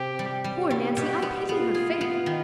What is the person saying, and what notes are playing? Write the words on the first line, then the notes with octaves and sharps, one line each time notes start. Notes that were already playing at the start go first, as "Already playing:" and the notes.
Poor Nancy, I pity her, faith!
Already playing: C3 G4
G3
G3
G3
B2 G4
B3
B3 F4
G#4
B3
D#3